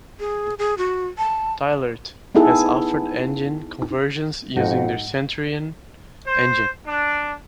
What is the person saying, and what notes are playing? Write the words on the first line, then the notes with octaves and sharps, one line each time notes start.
Thielert has offered engine conversions using their Centurion Engine.
G#4
G#4
F#4
A5
B3 D#4 E4 G#4 A4
F2 G#2 D#4 F#4 A4 F#5
C5
D4